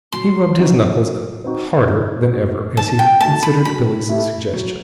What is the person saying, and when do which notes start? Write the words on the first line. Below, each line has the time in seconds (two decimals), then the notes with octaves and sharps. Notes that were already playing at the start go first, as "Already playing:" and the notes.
He rubbed his knuckles harder than ever as he considered Billie's suggestion.
0.12 F#3 C6
0.57 C4 D#4 F#4
1.00 F#3
1.44 C4 D#4 F#4
1.89 D#3
2.33 A3 D#4 F#4
2.76 D#3 A5
2.99 G5
3.21 A3 D#4 F#4 A5
3.43 B5
3.65 F#3 B5
4.09 A3 E4 G4
4.53 F#3